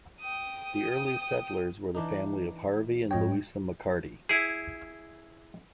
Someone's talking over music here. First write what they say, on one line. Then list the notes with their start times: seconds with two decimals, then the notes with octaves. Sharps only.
The earliest settlers were the family of Harvey and Louisa McCarty.
0.21 G5 D#6
1.95 E3 D4 D#4
3.11 G#2 C#5 D#5 G5
4.29 E4 G#4